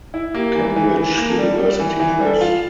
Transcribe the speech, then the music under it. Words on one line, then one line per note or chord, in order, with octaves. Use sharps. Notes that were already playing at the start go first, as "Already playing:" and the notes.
Cambridge University Press.
E4
A#3 G4
E3
E3
E3
A#3
A4
G3
G3 G4
E3
E3
G3 A4
F4